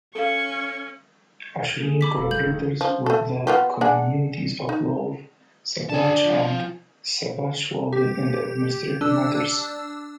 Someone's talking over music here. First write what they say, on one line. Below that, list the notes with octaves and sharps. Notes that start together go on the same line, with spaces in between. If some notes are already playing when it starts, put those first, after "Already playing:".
Achern collaborates with the communities of Lauf, Sasbach, and Sasbachwalden in administrative matters.
C#4 A4 F5 C#6
A#3 G#4
B5 D6 B6
F1 A4 F5 A#5
F3 G3 G#3 G6 F#7
D1 D#3 A3
F3
A3 A4
B3 F4 G4
G#3 D4 F#5
D#4
D4 G#4 A5
F3
G4
D4 E6